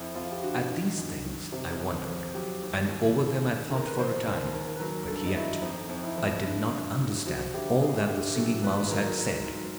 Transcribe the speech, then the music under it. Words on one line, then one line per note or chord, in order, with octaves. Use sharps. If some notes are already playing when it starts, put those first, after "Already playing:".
At these things I wondered, and over them I thought for a time, but yet I did not understand all that the Singing Mouse had said.
Already playing: F2 E4
F2 F4
G4
D3 F#4
D#3
F#2
D#3
C3
F2
F3
F#3 G4
D#2
D#2
D#2
C#3
C#3 A#4
B4
F3 C5
D#2 A#4
D#2 A#4
B4
F#3 A#4
G2 A4
D#4
F#3 E4
F2 D#4
F2
E4
F3
D3
F#2
F#3
F3 F#4
D2 G4
D2 G#4
D3 G4
F#3 A4
D#2 B4
F#3 A#4
G#2
F#3